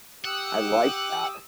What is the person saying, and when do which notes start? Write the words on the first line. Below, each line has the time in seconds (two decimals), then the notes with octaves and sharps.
I like that.
0.25 G4 F#5 D#6 E6